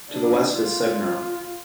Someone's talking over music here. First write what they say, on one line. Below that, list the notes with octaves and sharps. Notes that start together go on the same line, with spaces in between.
To the west is Segner.
D4
F4